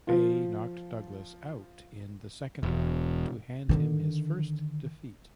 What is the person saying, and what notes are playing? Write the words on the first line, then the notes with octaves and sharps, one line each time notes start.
Bey knocked Douglas out in the second round to hand him his first defeat.
F3 F4
E1
D3 D#3